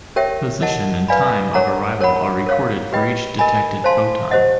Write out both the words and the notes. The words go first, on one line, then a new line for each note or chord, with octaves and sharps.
Position and time of arrival are recorded for each detected photon.
G4 A#4 C#5 E5 G5
A#4 D#5 F#5 A5
B4 D5 F5 G#5 B5
A#4 C#5 F#5 A#5
A#4 C#5 F#5 B5
A#4 C#5 F5
G4 B4 D#5 G5 B5
A#4 D#5 G#5 B5
C5 F5 A5 C6
G4 C5 D#5 F#5